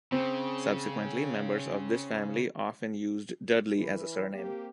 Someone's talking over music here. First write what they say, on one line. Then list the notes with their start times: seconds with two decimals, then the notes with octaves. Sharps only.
Subsequently, members of this family often used Dudley as a surname.
0.12 C#3 C4
3.78 E3 B4
4.34 A#3 C4 G4